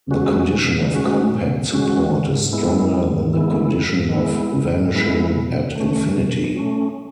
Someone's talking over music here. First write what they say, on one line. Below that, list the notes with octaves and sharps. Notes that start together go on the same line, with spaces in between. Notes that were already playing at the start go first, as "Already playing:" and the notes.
The condition of compact support is stronger than the condition of vanishing at infinity.
G#3 C#4 F#4
B2
G#3 C#4 F#4
B2
G#3 C#4 F#4
G#2
G#3 B3 E4
G#2
G#3 B3 E4
G#2
G#3 B3 E4
G#2
G#3 B3 E4
B2
A3 C#4
B2
A3 C#4